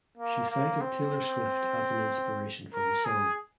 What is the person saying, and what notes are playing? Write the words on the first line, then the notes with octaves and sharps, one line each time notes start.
She cited Taylor Swift as an inspiration for the song.
A#3
A#3
C4
A#4
G#4